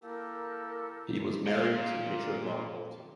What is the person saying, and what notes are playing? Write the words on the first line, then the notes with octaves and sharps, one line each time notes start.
He was married to Metta von Alten.
A#3 E4 G4 A4 A#4
A#2 F5